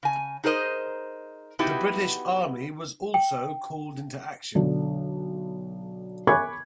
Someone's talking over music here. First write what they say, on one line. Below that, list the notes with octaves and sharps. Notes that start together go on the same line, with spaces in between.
The British Army was also called into action.
C#3 G#5
D#4 G#4 A#4 C5 D#5
B3 D#4 E4 F#4 G4
G5
B1 D3
G#5 B5 C#6 D6 F#6 G#6